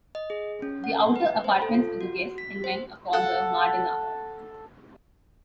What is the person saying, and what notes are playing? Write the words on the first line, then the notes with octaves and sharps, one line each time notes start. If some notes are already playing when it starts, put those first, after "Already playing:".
The outer apartments for guests and men are called the "Mardana".
D#5
G#4
C#4
F#5
B4
C5
A4
F4
F#4
B6
C5
A4 F#5